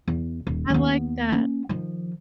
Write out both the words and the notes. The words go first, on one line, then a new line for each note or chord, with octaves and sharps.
I like that.
E2
D#1
D#2 B3
A#3 C#4
D#3 F3